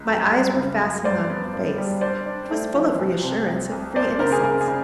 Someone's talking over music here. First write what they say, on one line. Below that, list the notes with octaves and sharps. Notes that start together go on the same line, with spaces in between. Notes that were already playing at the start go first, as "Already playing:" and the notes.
My eyes were fastened on her face: it was full of reassurance, of free innocence.
Already playing: C#2
F#2
G3
C#3
F#2
G2 C5 D5
B3
G2
G3
D4 C5 D5
D4
A3
F3
C2
C3
C2
C2
F#1 C5 D5
C#3 A#4 C5
G#4 A#4
C#3 G#4 A#4
G#4
C#3